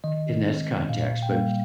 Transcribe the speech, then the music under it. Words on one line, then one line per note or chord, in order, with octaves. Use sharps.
in this context, but
D#3 D#5
G#3 C4
A#2 F5
G5
G3 A#3 F5